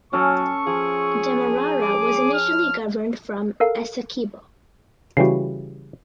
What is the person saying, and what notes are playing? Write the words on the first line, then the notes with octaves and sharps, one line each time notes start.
Demerara was initially governed from Essequibo.
F#3 C#4 A4 C#6
F3 G#4
D6
F6
A4 A#4 F5
C#3 E3 G3 F#4 C7